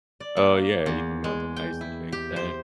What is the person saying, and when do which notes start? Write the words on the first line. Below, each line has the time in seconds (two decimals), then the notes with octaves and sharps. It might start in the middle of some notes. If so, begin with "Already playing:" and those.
Oh, yeah, you can melt the ice and drink that.
0.20 D5
0.37 A#3
0.86 E2
1.24 G#3
1.56 G5
1.81 E4
2.12 G4
2.36 C5